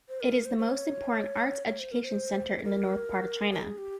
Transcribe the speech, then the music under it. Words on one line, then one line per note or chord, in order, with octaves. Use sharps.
It is the most important arts education center in the north part of China.
C5
A#4
C5
C5
C#5
C#5
C5
A#4
C5
G#4
A#4
A#4
G#4
G4